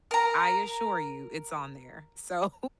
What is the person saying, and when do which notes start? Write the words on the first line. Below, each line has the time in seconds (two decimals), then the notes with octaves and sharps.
I assure you it's on there. So,
0.11 A#4 A#5